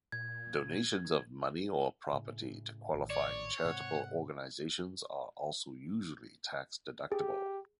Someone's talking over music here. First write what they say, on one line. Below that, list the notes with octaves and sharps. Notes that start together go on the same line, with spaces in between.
Donations of money or property to qualifying charitable organizations are also usually tax deductible.
A#2 G#6
D#3
A2 C#3
A1 A2 D#3
C#5 D5
G#2 C3 C4 F#5
G4 G#4